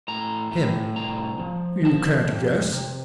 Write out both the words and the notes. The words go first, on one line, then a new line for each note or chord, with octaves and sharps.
HIM: You can't guess?
A2 A#5
A2
C2 A#5
F3
F3 A5
F2
C3